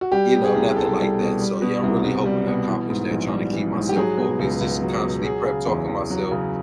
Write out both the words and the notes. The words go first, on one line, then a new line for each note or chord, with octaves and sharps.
you know, nothing like that. So, yeah, I'm really hoping to accomplish that, trying to keep myself focused, just constantly prep-talking myself,
F#4
G3 G4
B2
G#4
C2
C2 A4
G3
B2
G3
B2
C2
C2
G3
B2
E3
G#2
A#1
G3
E3
G#2
G4
F#3 G#4
B2
C#2
C#2
F#3
B2
F#3 G#4
C#3
E2
E2
F#3
C#3